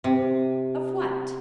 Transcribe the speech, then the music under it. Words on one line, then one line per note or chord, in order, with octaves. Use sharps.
"Of what?"
C3